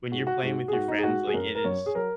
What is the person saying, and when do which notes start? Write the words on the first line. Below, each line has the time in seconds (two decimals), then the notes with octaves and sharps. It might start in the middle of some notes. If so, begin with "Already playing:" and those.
when you're playing with your friends, like, it is
0.12 G#2 G#3 F#4
0.27 F#4
0.42 G#2 G#3 F#4
0.68 G#4
0.73 G#2 G#3 F#4
0.88 D#4
0.98 G#4
1.03 G#2 G#3 F#4
1.27 G#4
1.34 F#2 F#3 A#4
1.55 A#4
1.65 F#2 F#3 C#5
1.86 G#4
1.95 F#3 A#4